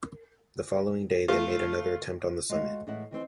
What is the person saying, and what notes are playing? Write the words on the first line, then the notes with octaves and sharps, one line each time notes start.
The following day they made another attempt on the summit.
A3 F4
G#3 A3 F#4 F5
A2 E3 G#3 E4 E5 F#5
D#3 E3 C4